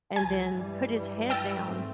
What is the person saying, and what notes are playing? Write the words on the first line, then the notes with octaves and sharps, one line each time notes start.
and then put his head down
C#2 F3 G#5
G2 E3 G3
G5 E6 A6
G#2 A3 C4